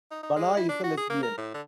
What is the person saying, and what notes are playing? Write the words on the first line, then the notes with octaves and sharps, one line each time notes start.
Banai is a lesbian.
D#4
D#4
G#3
E4
D4
F#4
G#4
A#3
A#4
A2
D3